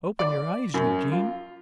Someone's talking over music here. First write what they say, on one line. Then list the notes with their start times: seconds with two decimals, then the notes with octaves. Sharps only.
Open your eyes, Eugene?
0.19 D5
0.74 F#2
1.12 F4